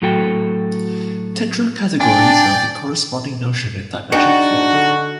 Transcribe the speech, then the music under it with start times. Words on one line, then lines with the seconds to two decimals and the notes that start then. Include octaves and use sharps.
Tetracategories are the corresponding notion in dimension four.
0.02 A2 F#3 F#4 A4 G5
2.01 D4 D5 G5 G#5
4.12 D4 D#4 F#4 G#4 G5 C#6 C#7
4.73 D3